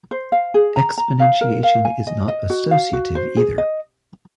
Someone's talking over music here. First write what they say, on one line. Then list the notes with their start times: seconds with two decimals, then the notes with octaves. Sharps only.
Exponentiation is not associative either.
0.11 C5
0.32 F5
0.54 G#4
0.76 A#5
0.98 A#5
1.19 F5
1.41 A#4
1.63 F5
1.85 G#5
2.07 D#5
2.28 D#5
2.50 F#4
2.71 F5
2.93 F#4
3.15 C5
3.37 G#4
3.58 D#5